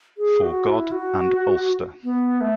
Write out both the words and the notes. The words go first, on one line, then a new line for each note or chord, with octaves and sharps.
For God and Ulster.
G#4
F#4
E4
F#4
B3
A3